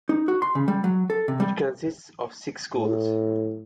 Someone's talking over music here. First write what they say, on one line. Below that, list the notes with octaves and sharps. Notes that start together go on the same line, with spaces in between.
It consists of six schools.
D#4
F#4
C6
C#3
G3
F#3
A4
C3
G3
A2